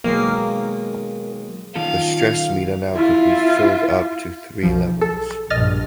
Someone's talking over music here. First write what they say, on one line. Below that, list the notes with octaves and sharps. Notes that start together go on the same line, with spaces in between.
The Stress meter now could be filled up to three levels.
B1 D#3 G#3 A#3
D#3 C#4 F4 A4 F5
E4 F4
B1 F3
A4
A#1 G2 D#5 F6 A6